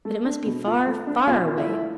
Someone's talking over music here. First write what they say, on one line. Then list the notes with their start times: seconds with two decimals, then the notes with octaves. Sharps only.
But it must be far, far away!
0.05 A3
0.26 D4
0.46 B2
0.66 F4
0.87 A3
1.07 D4
1.27 B2 F4 F5
1.47 F4
1.57 E4 E5
1.67 A3